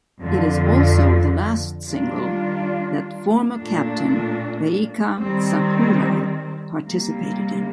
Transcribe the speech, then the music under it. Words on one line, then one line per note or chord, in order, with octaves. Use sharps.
It is also the last single that former captain Reika Sakurai participated in.
F2 D3 F3
D#3 G3 D4 F4
A#2 A3 D4
D#3 G3 C4
C3 G3 A#3